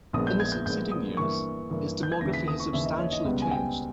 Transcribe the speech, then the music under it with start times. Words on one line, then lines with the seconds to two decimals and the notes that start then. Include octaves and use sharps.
In the succeeding years, its demography has substantially changed.
0.13 A#1 A#2 G#3 B3 D#6
0.27 G6
0.40 G#6
0.52 G6
0.66 A#1 A#2 G#3 B3 G6
0.91 D#6
1.17 G2 E3 A#3 C#6
1.70 G2 E3 A#3
2.03 G6
2.12 G#6
2.21 D#2 C#3 E3 A#6
2.33 B6
2.48 D#6
2.60 C#6
2.73 D#2 C#3 E3 E5
2.86 D#5
2.99 C#5
3.12 D#5
3.25 C#2 B2 G3 B3
3.42 G#5
3.51 G5